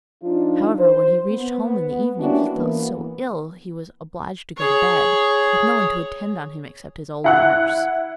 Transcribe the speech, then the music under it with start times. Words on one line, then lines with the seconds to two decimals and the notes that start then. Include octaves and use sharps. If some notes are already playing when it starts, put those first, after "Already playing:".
However, when he reached home in the evening, he felt so ill he was obliged to go to bed, with no one to attend on him except his old nurse.
0.22 F3 D4 D#4 F4
0.78 C5
1.31 B3
2.18 G3 A#3 C#4 D4 E4 F#4
2.53 E3 A#3 B3
4.57 G#4 C#5
7.24 E4 F#5 F#6